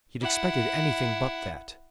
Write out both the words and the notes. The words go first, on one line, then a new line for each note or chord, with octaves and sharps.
He had expected anything but that.
E4 F#5